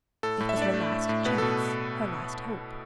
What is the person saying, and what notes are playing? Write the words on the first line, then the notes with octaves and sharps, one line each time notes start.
It was her last chance, her last hope.
A2 A4
A2
E5
D4 D5
A3
A2
A2
B2 B4
B2 A4